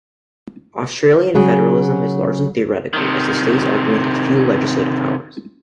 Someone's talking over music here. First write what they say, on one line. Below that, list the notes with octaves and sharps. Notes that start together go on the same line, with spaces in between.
Austrian federalism is largely theoretical as the states are granted few legislative powers.
C#3 F#3 F#4 G#4
C3 D#3